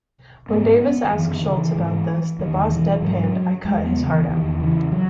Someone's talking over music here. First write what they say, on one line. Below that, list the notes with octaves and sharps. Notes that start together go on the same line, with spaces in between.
When Davis asked Schultz about this, the boss dead-panned, I cut his heart out.
G#2 B3
B3
D#3
F#2 E3
D#3
C#3
E3
G#2
E2 D#3
B2 E3
G#2 F#3
E2 G#3
B3
C#3
E3
E2 D#3
C#3 E3
F#3